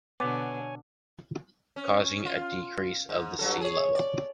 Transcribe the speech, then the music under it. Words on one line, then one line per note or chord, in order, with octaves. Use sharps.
Causing a decrease of the sea level.
B2 D3 B3 C#5 G#5 D6
C#4
F4
G#2
G2 F#3 A4
G#4 C#5
D5